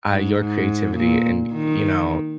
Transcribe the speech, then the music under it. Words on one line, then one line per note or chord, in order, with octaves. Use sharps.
uh, your creativity and, you know,
G#2
G#2
A#2
D#3